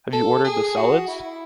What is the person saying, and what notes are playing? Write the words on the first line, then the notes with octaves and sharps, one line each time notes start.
Have you ordered the solids?
A4
G#4
F#4
E4